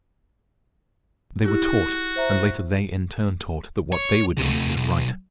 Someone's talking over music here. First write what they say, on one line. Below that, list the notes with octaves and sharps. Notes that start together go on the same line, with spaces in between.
They were taught, and later they in turn taught, that what they were doing was right.
E4 F#4 G4
C5 E5 A#5
C#5
C3 A3
B1